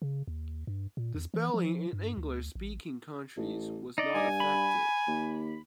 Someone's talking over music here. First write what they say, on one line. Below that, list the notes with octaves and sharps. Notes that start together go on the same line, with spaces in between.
The spelling in English-speaking countries was not affected.
C#3
D#2
G2
A#2
E2
E3
F3
G2
D2
A1
A1
D#4 D5 D#5
G2 G#5
B5
D#2